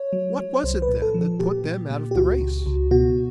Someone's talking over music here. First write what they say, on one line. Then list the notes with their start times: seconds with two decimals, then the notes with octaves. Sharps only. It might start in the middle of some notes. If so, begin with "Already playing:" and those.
What was it then, that put them out of the race?
Already playing: C#5
0.13 F#3
0.39 F#3
0.64 C2 C5
0.82 B4
0.88 A#2
1.02 A4
1.14 F3
1.21 A4
1.40 A#2 G4
1.64 A#2
1.91 A#2
2.11 G4
2.15 C#2 F#4
2.41 C#2
2.66 C#2
2.91 B2 F#4